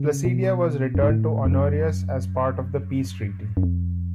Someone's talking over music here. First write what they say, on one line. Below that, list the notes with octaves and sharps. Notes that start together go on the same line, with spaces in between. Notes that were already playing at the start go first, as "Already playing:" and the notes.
Placidia was returned to Honorius as part of the peace treaty.
Already playing: C#3
B2
F#2
G#2
A2
F2
F#2
F#2
F2